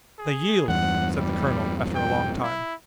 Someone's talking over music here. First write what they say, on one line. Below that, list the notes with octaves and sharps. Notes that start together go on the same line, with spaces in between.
"They yield," said the colonel, after a long time.
G#4
E2 G2 F#5
G3
G5
E4